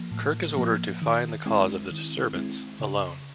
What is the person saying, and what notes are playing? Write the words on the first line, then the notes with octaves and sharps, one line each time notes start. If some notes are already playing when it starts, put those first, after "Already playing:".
Kirk is ordered to find the cause of the disturbance, alone.
Already playing: F3 A#3
A2
F3 A#3
D#3
G#3 C4 E4
D#3
G#3 C4 E4
C#3